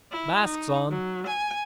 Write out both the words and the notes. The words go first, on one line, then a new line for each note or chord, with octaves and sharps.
Masks on!
E4
D#4
F#3
G#5